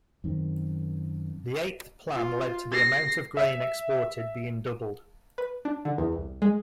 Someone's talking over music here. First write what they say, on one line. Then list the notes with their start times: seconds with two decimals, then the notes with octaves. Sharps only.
The eighth plan led to the amount of grain exported being doubled.
0.24 F#2 D#3 C4
2.16 F4
2.72 A#6 C7
3.37 E5
5.38 B4
5.65 D4
5.85 D3
5.98 E2
6.13 C2
6.42 G#3